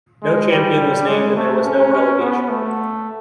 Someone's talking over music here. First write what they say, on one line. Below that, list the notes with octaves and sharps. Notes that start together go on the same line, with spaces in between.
No champion was named and there was no relegation.
G#3
G3
G#3
A3
C#4
C#4
B3
A3